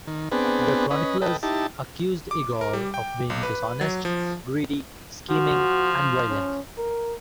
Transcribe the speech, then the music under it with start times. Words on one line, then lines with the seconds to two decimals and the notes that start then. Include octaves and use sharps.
The chroniclers accused Igor of being dishonest, greedy, scheming, and violent.
0.07 D#3
0.32 B3 C4 D4 G#4 B4
0.91 C#4 B4 D#5
1.22 A4 B4 D#5 G5
1.43 D#4 E4 G4 A5
2.31 D6
2.61 A#4
2.73 G3
2.94 G5
3.30 B1
3.43 B4
3.81 F#3
4.05 F3
5.30 F3 F#4
6.29 C#4
6.78 A#4